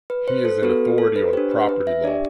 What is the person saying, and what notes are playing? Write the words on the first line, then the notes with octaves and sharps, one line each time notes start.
He is an authority on Property Law.
B4
C5
A4
B3 F#4 A4 B4
A4
B4
D4 G4 C5
B4
B4
E5
D4 G4 D5